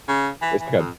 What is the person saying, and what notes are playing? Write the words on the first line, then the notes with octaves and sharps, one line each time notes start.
it's, like, a
C#3
E3
E3
F2